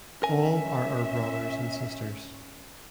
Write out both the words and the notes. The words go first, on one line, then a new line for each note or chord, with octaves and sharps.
All are our brothers and sisters.
C#4 A#4 E5 G#5